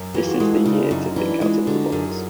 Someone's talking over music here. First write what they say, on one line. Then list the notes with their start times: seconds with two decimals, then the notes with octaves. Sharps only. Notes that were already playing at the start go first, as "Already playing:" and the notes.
This is the year to think out of the box.
Already playing: F#2
0.14 E3 F4 G4
0.27 F#4 G#4
0.40 G#3 G4 A4
0.53 D#4 F4
0.65 C#3 D4 E4
0.91 F#2 C#4 D#4
1.16 E3 D4 E4
1.41 G#3 D#4 F4
1.67 D3 F#4 G#4
1.92 F#2 G#4 A#4